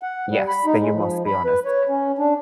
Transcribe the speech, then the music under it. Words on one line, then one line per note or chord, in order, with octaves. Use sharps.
Yes, then you must be honest.
F#5
G3
B5
D#4
G#3
F3
B5
B4
C#5
C#4
D4